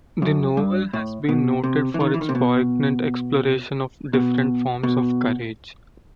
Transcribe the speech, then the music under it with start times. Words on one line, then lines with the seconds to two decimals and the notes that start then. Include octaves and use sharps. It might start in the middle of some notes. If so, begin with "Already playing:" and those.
The novel has been noted for its poignant exploration of different forms of courage.
0.22 F#2
0.57 G2
0.93 A2
1.29 B2
1.64 C3
1.94 E3
2.00 D#3
2.14 E3
2.21 D#3
2.29 C3
2.35 B2
4.14 B2
4.83 B2